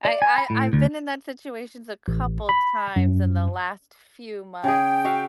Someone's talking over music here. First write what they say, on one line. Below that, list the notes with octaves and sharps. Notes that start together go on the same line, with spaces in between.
I I I've been in that situations a couple times in the last few months,
D5
G#5
B5
A2
D2
A1
B5
F#2
C#3 G#4 G5
F#4 E5 F5